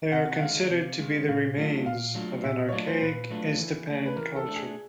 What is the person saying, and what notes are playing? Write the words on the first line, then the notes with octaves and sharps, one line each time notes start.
They are considered to be the remains of an archaic Iztapan culture.
C3 F#5
F#5
D#3 G#3 F5
C3
D#3 G#3
A#2 F5
F#3 A3 D4 F4
A#2 F5
F#3 A3 D4 F4
A#2 E5
D#5
C#5
F#3 A3 D4 F4 D5
C5
A#2 B4
F#3 A3 D4 F4
E3
A3 D4
B4
E3 A#4
A4
A3 D4
G#4